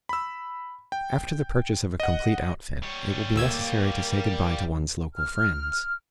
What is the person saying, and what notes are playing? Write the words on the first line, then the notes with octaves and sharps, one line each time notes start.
After the purchase of a complete outfit, it will be necessary to say goodbye to one's local friends.
B5 E6
G5
D#5 F#5
G3 C#5
D2 A#3 E6 G#6
F6